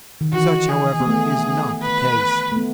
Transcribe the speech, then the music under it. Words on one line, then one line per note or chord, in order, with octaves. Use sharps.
Such, however, is not the case.
D#3
E3 F#4
G#4
B3
A3
B4
A3
B3